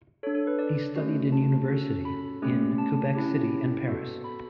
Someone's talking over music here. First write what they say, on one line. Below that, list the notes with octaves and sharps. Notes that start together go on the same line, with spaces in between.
He studied in university in Quebec City and Paris.
A4 C#5
D4
A4
B4
D5
A3 C#4 F#4
A5
C#4 F#4 A4
B5
A3 C#4 G4
A5
C#4 E4 G4
B3 F#4 A4
B5